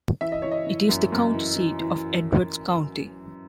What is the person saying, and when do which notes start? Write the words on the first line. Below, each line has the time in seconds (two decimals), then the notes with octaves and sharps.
It is the county seat of Edwards County.
0.21 E3 E5
0.32 D#5
0.42 E3 C#5
0.51 D#5
0.67 E3
0.89 F#2
1.12 F#2
1.34 E3
1.56 E3
1.80 E3